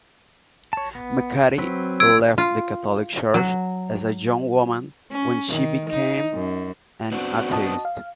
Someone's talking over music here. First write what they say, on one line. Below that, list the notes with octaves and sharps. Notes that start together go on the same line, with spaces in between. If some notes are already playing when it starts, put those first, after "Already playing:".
McCarthy left the Catholic Church as a young woman when she became an atheist.
C#5 A5
B3
F#3 C4 B4
E6 G#6 D7
F4
F#3
C#4
D#3
D#4
F#2
B3 C4 D4 F#4
D#5 A5 D#6
F5